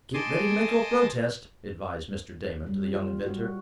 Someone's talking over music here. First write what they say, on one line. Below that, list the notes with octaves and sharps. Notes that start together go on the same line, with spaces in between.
"Get ready to make your protest," advised Mr. Damon to the young inventor.
D#5 G#5 A5 C6 D6 D#6
G3
F4
F#4